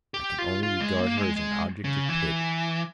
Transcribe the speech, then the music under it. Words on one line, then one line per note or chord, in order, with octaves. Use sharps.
I can only regard her as an object of pity!
G4
F4
F4
G#3
A#3
G#3
G#3
C#3
E3